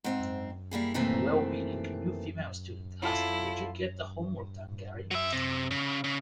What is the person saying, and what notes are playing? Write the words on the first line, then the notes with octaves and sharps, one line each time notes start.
When a well-meaning new female student asked, Did you get the homework done, Gary?
G#2 C4 E5
G3 A#3 E4 G#4
C3 D#3 E3 A3 A#3 C4
F#3 E4 F4 A4
F#3 E5
C3
C#3
C#3